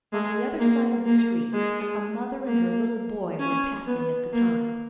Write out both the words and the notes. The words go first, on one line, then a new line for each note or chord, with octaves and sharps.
On the other side of the street a mother and her little boy were passing at the time.
G#3
A#3
A#3
G#3
A#3
C#4
B3
A#3